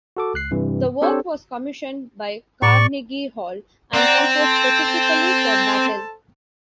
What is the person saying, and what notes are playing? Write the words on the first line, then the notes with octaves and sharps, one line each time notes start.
The work was commissioned by Carnegie Hall and composed specifically for Battle.
F#4 A4 D6
C#2 F#6 C7
G2 C3 E3
C4 D4 G4 A4 C5 C#5
A2 D5 C#6
C4 D5 F#5 A#5
A4 C5